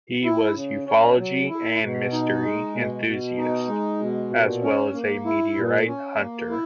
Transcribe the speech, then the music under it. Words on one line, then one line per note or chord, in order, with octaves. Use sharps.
He was ufology and mystery enthusiast, as well as meteorite hunter.
E4
C#3
C#4
F#3
E4
B2
D#4
G#3
B2
B2
D#4
G#3
B2
A#2
C#4
A#3
E4
A#2
C#4
A#3
E4